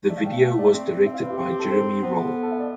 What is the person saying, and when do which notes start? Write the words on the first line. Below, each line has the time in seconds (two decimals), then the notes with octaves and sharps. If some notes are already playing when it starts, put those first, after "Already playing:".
The video was directed by Jeremy Rall.
0.09 A3 D5
0.17 F5
0.25 G5
0.33 F5
0.41 E5
0.58 D5
0.73 C4
1.06 E5
1.14 F5
1.22 B4
1.30 G4
1.38 C4
1.49 G4
1.59 A4
1.70 C5
2.03 B3 C5
2.24 A4
2.43 A4
2.51 E5
2.59 D5